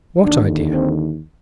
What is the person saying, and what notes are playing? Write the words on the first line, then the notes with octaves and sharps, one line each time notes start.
What idea?
D#2 D3 D4
C4